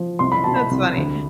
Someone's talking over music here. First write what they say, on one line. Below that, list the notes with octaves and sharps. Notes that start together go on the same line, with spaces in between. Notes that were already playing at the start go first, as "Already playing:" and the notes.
That's funny.
Already playing: F3
C2 C6
B5
B2 A5
B5
C2
D2